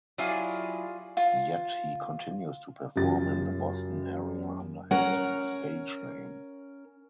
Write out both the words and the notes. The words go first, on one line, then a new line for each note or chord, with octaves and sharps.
Yet he continues to perform in the Boston area under his stage name.
F#3 E4 F4 G4 G#4 D5
F4
F#2 C#3 F4 G4 A6
C#4 A#4 F#5